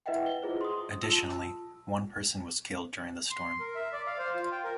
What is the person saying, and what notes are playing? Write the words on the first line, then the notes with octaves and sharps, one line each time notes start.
Additionally, one person was killed during the storm.
E4 B4 D#5 E5 F#5 G5
G7
E4 F4 G#4 C5
C6 D#6
F4 A5 E6
C6
A#4
E5
D5
F5
C5
F4
G5
A#4